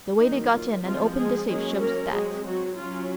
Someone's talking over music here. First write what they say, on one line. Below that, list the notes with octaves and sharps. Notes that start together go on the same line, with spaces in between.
The way they got in and opened the safe shows that.
D#3 F#3 A#3 D#4
F4
F3 G#3 C4 F4
G#3 G#4
F#3 G#3 A#3 C#4 G#4
A#3 A#4
F#3 G#3 C4 G#4
F#3 F#4
F#3 C#4 F4